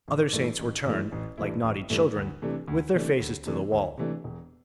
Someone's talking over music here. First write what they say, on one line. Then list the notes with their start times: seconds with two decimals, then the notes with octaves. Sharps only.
Other saints were turned, like naughty children, with their faces to the wall.
0.08 A1
0.33 G2 E3 A3 E4
0.59 A1
0.86 G2 E3 A3 E4
1.12 A1
1.38 G2 E3 A3 E4
1.64 A1
1.90 G2 E3 A3 E4
2.16 D2
2.42 C3 E3 A3 D4
2.68 D2
2.93 C3 E3 A3 D4
3.20 D2
3.46 C3 E3 A3 D4
3.72 D2
3.98 C3 E3 A3 D4
4.24 E1